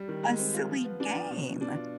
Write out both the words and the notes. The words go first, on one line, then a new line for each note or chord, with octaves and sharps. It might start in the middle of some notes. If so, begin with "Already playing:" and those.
a silly game.
Already playing: G3
D#3
G#3
C4
F4
F3
B3
D4
F3
B2
B3
D4
F4